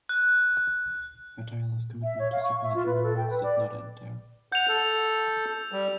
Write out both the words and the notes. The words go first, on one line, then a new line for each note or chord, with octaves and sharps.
Her tireless commitment to civil and human rights did not end there.
F#6
E5
C#5
F5
C#6
E5
F4
B4
A4
G5
B4
D5
F#5 G6 F7
A4
G3